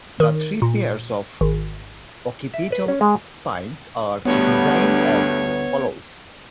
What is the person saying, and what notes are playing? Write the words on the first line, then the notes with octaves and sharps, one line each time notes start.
The three pairs of occipital spines are designed as follows.
D#3
A#2
G#1
E5
B4
C#4
G#3
D2 G2 B3 C#5